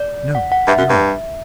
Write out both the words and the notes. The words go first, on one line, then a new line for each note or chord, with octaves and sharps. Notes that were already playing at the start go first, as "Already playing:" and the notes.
No, no.
Already playing: D5
F#5
F#5
G2 E5
F#2
G2